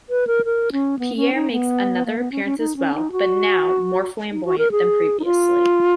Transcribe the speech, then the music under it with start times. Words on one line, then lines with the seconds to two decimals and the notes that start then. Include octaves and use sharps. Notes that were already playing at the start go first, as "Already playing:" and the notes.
Pierre makes another appearance as well, but is now more flamboyant than previously.
0.09 B4
0.27 A#4
0.45 A#4
0.72 C#4
0.99 B3
1.16 C#4
1.34 D#4
1.52 B3
2.06 A#3
2.19 B3
2.32 C#4
2.45 C#4
2.58 D#4
2.76 C#4
2.94 D#4
3.12 F#4
4.32 D#4
4.45 F#4
4.58 A#4
4.71 G#4
5.20 D#4
5.25 F4